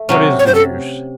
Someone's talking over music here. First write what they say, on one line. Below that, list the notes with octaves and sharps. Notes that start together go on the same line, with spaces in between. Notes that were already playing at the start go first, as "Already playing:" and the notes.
What is the use?
Already playing: A3
C3 F#3 C#4
C#5
C5
A4